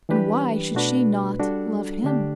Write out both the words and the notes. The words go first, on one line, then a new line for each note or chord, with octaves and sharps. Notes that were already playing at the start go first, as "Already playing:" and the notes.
And why should she not--love him?
E3 G3 D4 G4 B4
B2 A3 D4 F#4 B4
G3 D4 F#4 A4
D3 A3 D4 G4